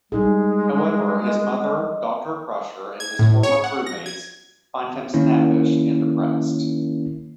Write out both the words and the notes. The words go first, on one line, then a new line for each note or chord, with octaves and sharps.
However, his mother Doctor Crusher and his former crewmates find him snappish and depressed.
G3 G#3 D#4 G#4
D#5
G#6
A2
C#5
F#5
A#6
G#6
D#3 A#3 C#4 E4